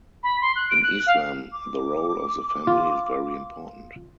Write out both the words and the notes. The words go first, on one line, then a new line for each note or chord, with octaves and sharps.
In Islam, the role of the family is very important.
B5
C6
F#6
D7
F#6
F5
D6
F4